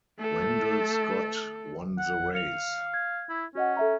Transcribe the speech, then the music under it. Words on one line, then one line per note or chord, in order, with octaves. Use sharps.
Wendell Scott won the race.
A3 A4
F#5
F5 C#7 F7
G#6
E4
C#4 F#4 D#5 F#5
A4 E5 A#5